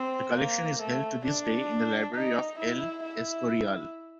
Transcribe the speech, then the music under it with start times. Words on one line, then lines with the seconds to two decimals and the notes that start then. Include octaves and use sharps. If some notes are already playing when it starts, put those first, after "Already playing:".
The collection is held to this day in the library of El Escorial.
Already playing: C4
0.36 A#3
0.81 A3
1.26 D4
2.15 D#4
2.59 E4
3.03 E4